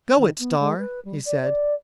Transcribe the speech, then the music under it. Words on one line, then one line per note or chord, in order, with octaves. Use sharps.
"Go it, Star!" he said.
D#3
B3
G#3
B4
G3
D5
D5